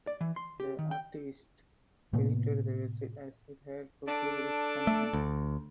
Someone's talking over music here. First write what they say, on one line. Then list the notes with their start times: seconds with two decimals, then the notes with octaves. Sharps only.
The activist deleted the website as it had fulfilled its function.
0.07 D5
0.21 E3
0.36 C6
0.60 G4
0.79 D#3
0.91 G5
2.13 A2 C3 A#3 B3
4.08 D4 A4 D5
4.87 A3
5.13 D2